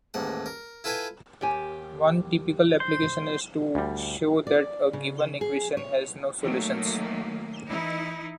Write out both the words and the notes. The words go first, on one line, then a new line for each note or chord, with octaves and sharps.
One typical application is to show that a given equation has no solutions.
A1 D#2 G#2 F#5
A#4
E4 F4 A4 B4 G5 G#5
D#2 G4 G#5
C5
D2 G3
D5
C#3
G#4
C#5
D#3 F#3 A3 A#3
E3 D#4 E4